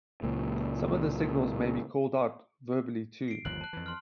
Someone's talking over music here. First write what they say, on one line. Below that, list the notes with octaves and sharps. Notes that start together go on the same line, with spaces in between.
Some of the signals may be called out verbally too.
C#2 A#2
C7 D7
G1 D#2 F3 F#6 F#7
A5 F#6
F2 E3
C6 F6